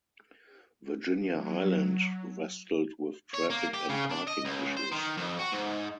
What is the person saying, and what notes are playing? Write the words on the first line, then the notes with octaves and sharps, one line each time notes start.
Virginia-Highland wrestled with traffic and parking issues.
F#3
C#5
A#3
G4
C#3
D4
D#5
C#2
C5
D#3
F2
F#4
G#2